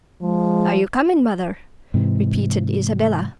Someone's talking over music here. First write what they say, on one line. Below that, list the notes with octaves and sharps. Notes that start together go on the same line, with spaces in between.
"Are you comin', mother?" repeated Isabella.
F3 G#3
G#2 C3 E3